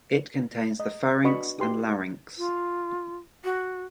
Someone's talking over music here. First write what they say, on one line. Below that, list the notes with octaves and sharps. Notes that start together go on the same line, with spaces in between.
It contains the pharynx and larynx.
D#5
D4 F#4 B4 D#5 B5 C#6
D#4 F#4 G4 B4 C6
F4
F#4